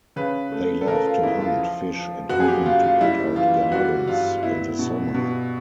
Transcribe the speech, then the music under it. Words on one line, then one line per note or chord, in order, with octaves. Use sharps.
They loved to hunt, fish and even to put out gardens in the summer.
C#3 B4
A3
A4
C#3 A#4
F4
E2 E4
F4
F3
F3
F#1 F#4
G#4
G4
F#1 F4
F4
G3 E4
E3 F4
G3 F#4
G2 F4
B3 E4
B2
B2